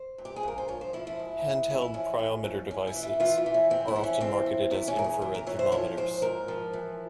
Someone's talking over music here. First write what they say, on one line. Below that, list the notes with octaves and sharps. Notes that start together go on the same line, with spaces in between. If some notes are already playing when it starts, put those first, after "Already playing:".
Handheld pyrometer devices are often marketed as infrared thermometers.
Already playing: C5
G2
G4
G#4
G2 A#4
C5
F3 C#5
C5
F3 E4
E4
G#2
G#2
E3 C#4
E4
F2 C#4
F2
F2
F2 C#4
E4
E3
E4
E3 F4
E4
E3
C#4
F2 C4
E4
E3
C#4
F2 C4
F2
E2 E4
C#4
E2 A#4
G#4
E3
A#4
E3 C#5
C5
F3 C#5
G#2 C5
G#2 A#4
F3
E3